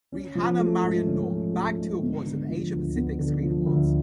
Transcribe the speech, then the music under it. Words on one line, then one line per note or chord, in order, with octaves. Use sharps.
Rehana Maryam Noor bagged two awards at Asia Pacific Screen Awards.
C#4
F3
A3
G#2
C#4
F3
A3
G#2
B3
D3
F3
D2
B3
D3
F3
D2